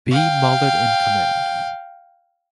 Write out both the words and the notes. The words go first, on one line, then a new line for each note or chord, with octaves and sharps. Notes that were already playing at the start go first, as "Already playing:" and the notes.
B. Mallard in command.
F5 G5